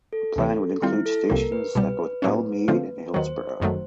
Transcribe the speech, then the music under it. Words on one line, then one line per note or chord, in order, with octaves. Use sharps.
The plan would include stations at both Belle Mead and Hillsborough.
A4
D2 C3 E3
D#3 G3 C4 E4 F4
A4
C2 C3 F3 A#3 A#4
B4
C2 B2 G3 B4
A2 F#3 A#3 C#4
D3 F3 A3 C4 F4
D#2 D#3 F#3 C5
G1 F#2 D#3 F#3 A3